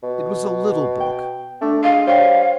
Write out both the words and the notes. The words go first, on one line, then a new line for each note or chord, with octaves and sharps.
It was a little book.
B2
G5
A3 D4
G#3 F5
G3 C5 C#5 F5 G5